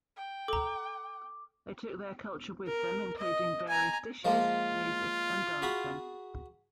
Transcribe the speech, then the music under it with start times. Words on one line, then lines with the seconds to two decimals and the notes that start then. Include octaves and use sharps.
They took their culture with them, including various dishes, music and dancing.
0.17 G5
0.48 A4 A#5 D6
2.67 A#4
3.18 D#5
3.68 G#5 A#5
4.25 F3 G#3 A#3 F4
5.62 F#4 G#4 B5